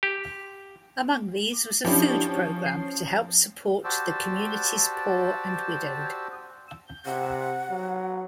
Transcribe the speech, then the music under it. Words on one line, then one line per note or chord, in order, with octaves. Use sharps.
Among these was a food program to help support the community's poor and widowed.
G4
F3 C#4 D4 E4 G4
C7
F#4 G4 C5 D5 A5 E6
C3 F#5
F#3